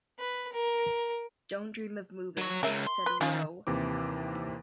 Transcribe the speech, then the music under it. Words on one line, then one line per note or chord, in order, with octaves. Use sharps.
"Don't dream of moving," said Rowe.
B4
A#4
F#3 C#5
C#2 C#3 A#4 E5
C6
B4
D#3 C#4 F4
D#2 C3 E3 D6